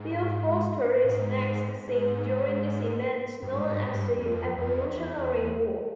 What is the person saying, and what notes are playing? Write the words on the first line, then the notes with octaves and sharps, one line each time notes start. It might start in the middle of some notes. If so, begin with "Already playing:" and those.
Bill Foster is next seen during the events known as the Evolutionary War.
Already playing: G#2
A2
G#2
G#2
G2
G#2
G2
G#2
G2
F2
F2
E2